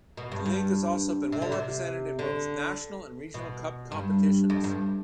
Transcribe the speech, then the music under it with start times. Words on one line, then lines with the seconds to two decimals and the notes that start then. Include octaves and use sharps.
The league has also been well represented in both national and regional cup competitions.
0.17 B2
0.32 G2
0.46 G2
1.32 C3
1.42 D3
1.52 C3
2.19 D3
3.34 B2
3.92 G2
4.50 F2
4.64 G2